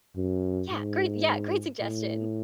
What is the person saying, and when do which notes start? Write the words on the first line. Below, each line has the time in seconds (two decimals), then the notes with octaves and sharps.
Yeah, great yeah, great suggestion.
0.16 F#2
0.71 G#2
1.81 A2